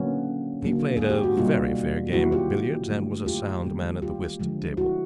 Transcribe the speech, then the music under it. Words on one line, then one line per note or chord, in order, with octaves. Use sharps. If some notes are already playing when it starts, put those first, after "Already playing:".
He played a very fair game at billiards, and was a sound man at the whist-table.
Already playing: D3 F#3 A#3 B3 C#4
D3 F#3 A#3
G#4
G4
F#4
B2 G3 A#3 D#4 F4
D#3 F#3 A#3 E4 F#4
F4 G4
D3 F#3 A3
F4 G4
D#3 G3 A#3
F4 G4
D3 F3 G#3
E4 F#4